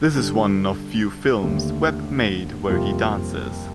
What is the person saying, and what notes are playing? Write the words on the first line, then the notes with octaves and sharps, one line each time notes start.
This is one of few films Webb made where he dances.
D3 G3 D4 A4
D#2 D3 A3 D4 G4
F2 C3 G3 A#3 F4